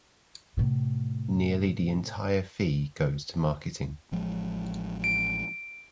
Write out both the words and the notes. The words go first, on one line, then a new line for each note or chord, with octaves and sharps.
Nearly the entire fee goes to marketing.
A2 C3
A1 F3 G#3
D7